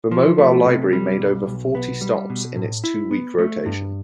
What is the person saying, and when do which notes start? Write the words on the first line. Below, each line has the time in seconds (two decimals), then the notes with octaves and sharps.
The Mobile Library made over forty stops in its two week rotation.
0.11 F3
0.38 A3
0.66 C3
0.93 G3
1.20 B1
1.47 B1
1.75 B3
2.01 G3
2.30 B2
2.56 A2
2.84 E4
3.11 B3
3.39 A3
3.66 G2